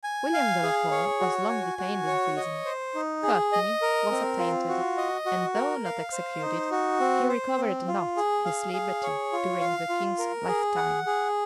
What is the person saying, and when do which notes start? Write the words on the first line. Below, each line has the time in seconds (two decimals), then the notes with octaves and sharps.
William de la Pole was long detained in prison: Courtney was attainted, and, though not executed, he recovered not his liberty during the king's lifetime.
0.04 G#5
0.34 F5
0.63 G#4
0.91 C#5
1.20 F#4
1.49 G#5
1.78 F#4
2.07 C#5
2.37 D#5
2.65 C5
2.95 D#4
3.23 G#4
3.53 D#5
3.82 A#4
4.11 C4
4.39 F4
4.69 F#4
4.97 D#5
5.26 F#4
5.55 A#4
5.85 F5
6.12 C5
6.41 D#4
6.71 F#4
7.00 C4
7.29 C5
7.58 C4
7.88 F4
8.17 G#4
8.45 F5
8.73 G#4
9.03 C#5
9.33 F4
9.61 F5
9.89 F4
10.19 A#4
10.48 G#4
10.76 F#5
11.06 G#4